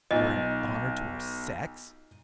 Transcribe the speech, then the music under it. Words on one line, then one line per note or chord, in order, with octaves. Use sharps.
You are an honour to our sex!'
B1 D#4 F4 D#5